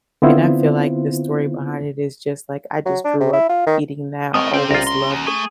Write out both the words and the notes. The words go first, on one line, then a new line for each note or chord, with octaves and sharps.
and I feel like the story behind it is just like I just grew up eating that, always loved
D3 B3 C4 E4 F4 C5
F#3
D4
C3
E4
F4
D#3
A2 G#3 A3 C4 A#4 D#5 A5 D#6
C3 C4 C#4 C5 G5
C2 F4 A#5
A2 C6
D#2
A3 G#4